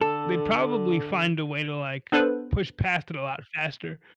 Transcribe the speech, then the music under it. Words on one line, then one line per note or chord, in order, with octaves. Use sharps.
they'd probably find a way to, like, push past it a lot faster,
D3 A4
B3 D4 A4 B4 C5